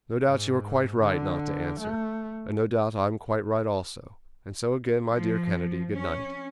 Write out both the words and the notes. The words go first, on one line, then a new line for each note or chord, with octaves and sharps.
"No doubt you are quite right not to answer, and no doubt I am quite right also--and so again, my dear Kennedy, good night!"
G#2
D3
A3
F3
C#4